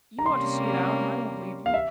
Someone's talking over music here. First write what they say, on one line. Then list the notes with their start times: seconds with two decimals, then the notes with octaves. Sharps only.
You ought to see it out, and I won't leave you.
0.19 A#5
0.26 C3 G3 A#3 C#4 C6
1.66 F5
1.74 E5